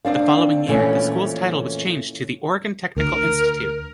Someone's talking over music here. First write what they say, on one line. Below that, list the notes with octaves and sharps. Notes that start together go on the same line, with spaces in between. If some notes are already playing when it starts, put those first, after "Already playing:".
The following year, the school's title was changed to the Oregon Technical Institute.
D2 C4 D4 F5
F2 A#2 E3 A3 C#4
D2 A#4